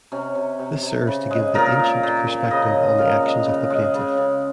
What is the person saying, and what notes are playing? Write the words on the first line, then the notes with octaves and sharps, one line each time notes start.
This serves to give the "ancient" perspective on the actions of the plaintiff.
C3 C#4
C3
C3
C3
C#3
G#3
A#2 A#4
A#2
A#2
A#2
C#3 D#5
G#3
A#2 F5
G#3
C#3
G#3
C#3
C#3